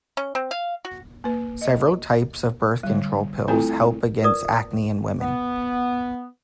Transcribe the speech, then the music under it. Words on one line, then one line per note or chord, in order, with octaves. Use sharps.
Several types of birth control pills help against acne in women.
C#4
C4
F5
F#4
A#3 B4
D#5
D3 G3
A3 C4 E4 F4 A4 G#5
F4 A#4 B4 D5 D#6
B3